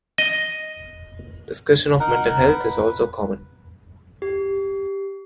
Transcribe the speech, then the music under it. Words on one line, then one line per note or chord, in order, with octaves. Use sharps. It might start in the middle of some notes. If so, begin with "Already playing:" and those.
Discussion of mental health is also common.
D#5
D#4 A#4 F#5
B4
G4